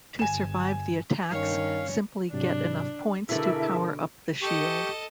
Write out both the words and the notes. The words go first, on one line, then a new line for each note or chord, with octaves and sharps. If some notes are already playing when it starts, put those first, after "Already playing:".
To survive the attacks simply get enough points to power up the shield.
G1 G#5 E7
G2 D#3 C#4 C#5 F5
G#2 C3 F#3 D4
B2 D3 E4 G#4 A#4 D5 E5 A5
G4 A4 D#5 C#6